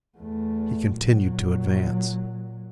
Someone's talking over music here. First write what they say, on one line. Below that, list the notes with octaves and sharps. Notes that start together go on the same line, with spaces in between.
He continued to advance.
E2 A3
A#2 F#3